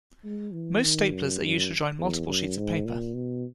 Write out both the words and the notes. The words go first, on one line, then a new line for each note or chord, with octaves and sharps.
Most staplers are used to join multiple sheets of paper.
G#3
E3
D#3
F#2
F#2
E2
F#2
G#2
A#2
B2